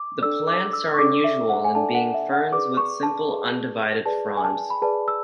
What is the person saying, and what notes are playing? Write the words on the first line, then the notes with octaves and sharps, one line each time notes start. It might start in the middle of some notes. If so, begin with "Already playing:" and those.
The plants are unusual in being ferns with simple, undivided fronds.
Already playing: D6
D4 A4 D5 E6
D6
E6
C#6
D4 A4 D5 D6
E5
F#5
G#5
D4 A4 D5 A5
F#5
E5
F#5
G#4 B4 D5 D6
C#6
A5
G#4 B4 D5
G#4 B4 D5 A5
G#5
A5
B5
G#4 B4 D5 A5
E6